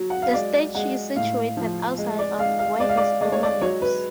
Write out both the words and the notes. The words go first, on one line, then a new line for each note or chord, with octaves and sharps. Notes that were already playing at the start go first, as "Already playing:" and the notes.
The statue is situated outside of where his owner lives.
Already playing: F#3
F#5
F5
G#3 D5
G#3 F#5
A2 F5
F3
G#3
D5
G#3 F5
F5
G#3 D5
F5
D5
G#3 D5
C#5
D5
F#3 C#5
B4